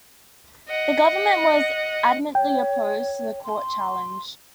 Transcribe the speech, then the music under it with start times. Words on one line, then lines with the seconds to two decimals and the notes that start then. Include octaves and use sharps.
The Government was adamantly opposed to the court challenge.
0.68 D#5 F#5
2.35 C#5 G5
3.44 C6